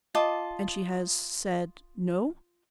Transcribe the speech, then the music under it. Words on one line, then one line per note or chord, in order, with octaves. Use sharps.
"And she has said No?"
F4 D#5 A5 D6